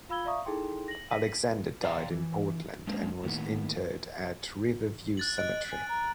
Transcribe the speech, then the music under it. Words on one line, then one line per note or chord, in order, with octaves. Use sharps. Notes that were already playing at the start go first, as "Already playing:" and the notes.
Alexander died in Portland and was interred at River View Cemetery.
F4 F5 B5 E6 G#6 G7
D5 E5 F5 A#5 C#6 D#6
D#4 E4 G#4 A4 G5 C6
A#6 F#7
A#6 B6 D#7 F#7
D5 F5 G5 A#5 C6
E3
G#3 A#3 C#4 D4 A#4 C5
A2 D#3 A#3 B3
F#6 A6 F#7
D#5 F#6 D7
G#5
A#5